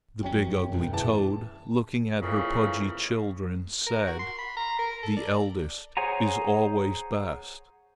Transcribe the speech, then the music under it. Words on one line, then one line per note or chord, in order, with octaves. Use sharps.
The big, ugly toad, looking at her pudgy children, said: "The eldest is always best."
F1 F#3 C#4 G5
F#2
E1
E3 G#4 A5
F2 A#2 C#3 E3
A#4
F#4
C6
B5
A#5
A#4
A4
D5
G#4 C5 C#5 F#5 G#5 A#5